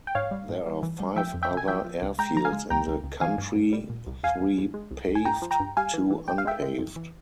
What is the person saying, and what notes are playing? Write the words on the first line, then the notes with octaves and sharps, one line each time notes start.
There are five other airfields in the country, three paved, two unpaved.
G5
G#2 C#5 F5
G3
G#2
G3
E3
G3
F3 E5 G5
F2
E5 G5
C#3
G#5
F3 E5 G5
F3
C2
G#3 G5 A#5
F3 A#5
F5 G#5
G#3
C#2 G5 A#5
C#2
C#2
E3 F5 G#5
G2
G2
G3
A#2
C2
E2 F5 G#5
E2
E2
G#3
C2
C2
G#5
G2 G5 A#5
F3
G5 A#5
G2
G3 F5 G#5
E3
E3
G#2 G5
F5
G#3 E5 G5
G#3
F2
E3